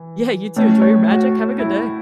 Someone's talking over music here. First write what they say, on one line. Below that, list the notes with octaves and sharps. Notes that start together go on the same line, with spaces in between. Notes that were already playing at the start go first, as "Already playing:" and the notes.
Yeah, you too, enjoy your magic, have a good day.
Already playing: E3
A2 A3 C#4
C#5
F#4
E4